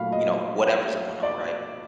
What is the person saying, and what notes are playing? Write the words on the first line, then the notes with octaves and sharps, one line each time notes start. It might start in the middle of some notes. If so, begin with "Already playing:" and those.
you know, whatever's going on, right?
Already playing: A#2 F#3 A3 F5 B5
D#5
D5